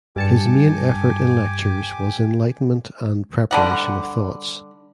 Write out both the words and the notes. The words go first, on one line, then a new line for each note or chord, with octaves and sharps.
His main effort in lectures was enlightenment and preparation of thoughts.
G2 G4 G#5 A5 D6 C#7
D3 G3 F#5